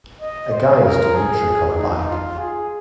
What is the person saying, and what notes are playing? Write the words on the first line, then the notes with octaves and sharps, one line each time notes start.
A guy is doing a trick on a bike.
D#5
C5
A#4
G#4
D#4
F4
G#4